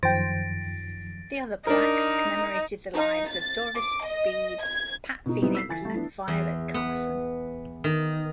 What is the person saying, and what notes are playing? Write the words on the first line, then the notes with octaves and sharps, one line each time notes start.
The other plaques commemorated the lives of Doris Speed, Pat Phoenix and Violet Carson.
F#2 D#3 F3 C5 G5 A6 A#6 D7
D4 D#4 A#4
D#4
A6
D6
D#5
G#6
B2 D#4
F#3 G3 B3 C4 D#4 E4
E6 B6 C7
E3 G#5 A6
G3 A3
B3 D4 E4
E2
B3
D#3